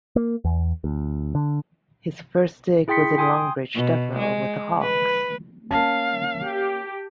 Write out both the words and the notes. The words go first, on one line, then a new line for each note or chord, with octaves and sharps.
His first dig was in Longbridge Deverill with the Hawkes.
A#3
E2
D2
D3
E4 G#4 G5 C6 B6 C#7
G5 G#5 C6 D#6
B2
G#3
B4
A#3 C#4 F5 A5
G4